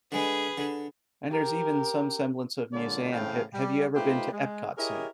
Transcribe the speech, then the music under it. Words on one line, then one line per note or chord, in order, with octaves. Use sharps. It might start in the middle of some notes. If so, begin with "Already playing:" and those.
And there's even some semblance of museum, h have you ever been to EPCOT Center?
D3 G#3 G#4 B4
D3
G4 A#4
A#2 D3 G#3 C#5 D5
A2 C#3 E3 C4 F5 G5
G3
A3 D#4 F4 G4 B4 C5
G#3
E4 G4 G#4 A#4 C#5 D#5